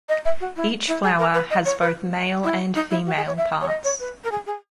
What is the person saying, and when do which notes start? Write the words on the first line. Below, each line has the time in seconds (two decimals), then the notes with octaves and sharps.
Each flower has both male and female parts.
0.09 D#5
0.25 E5
0.40 F#4
0.56 E4
0.88 E4
1.03 G#4
1.19 A#4
1.34 B4
1.50 D#5
1.65 C#5
1.81 B4
2.44 E4
2.75 D#4
2.90 E4
3.06 F#4
3.17 G#4
3.27 C#5
3.37 E5
3.61 C#5
3.68 D#5
3.84 C#5
4.00 B4
4.24 A#4
4.32 G#4
4.46 G#4